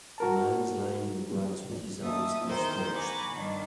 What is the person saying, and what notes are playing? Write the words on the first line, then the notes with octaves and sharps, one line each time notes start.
A man is lying in the grass with his arms outstretched.
F#4 A#4 A5
D#2 E5 A5 D#6
E2 D#3 C5 G6
F#5 G#5 A#5 B5 C#6 D6
G2 D#3 D4